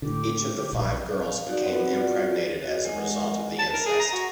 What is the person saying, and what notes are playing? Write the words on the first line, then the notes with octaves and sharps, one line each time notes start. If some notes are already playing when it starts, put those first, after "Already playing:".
Each of the five girls became impregnated as a result of the incest.
A2 D3 G4
A#1
F5
D#4 F#4 G4 D5 F#5
B3 C4 F#4 B4 F#5
F4 F#4 D5
F#4 C#5 D#5
G#3 A#4 D#5 F#5 G#5
A5
A#4
G#4
A#5
F#4